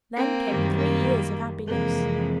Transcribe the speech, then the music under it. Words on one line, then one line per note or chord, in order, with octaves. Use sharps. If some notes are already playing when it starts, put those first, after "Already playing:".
Then came three years of happiness.
A#3 C4
F#2 D#3 G3
A#3
F2 C3 E3 G#3 A#3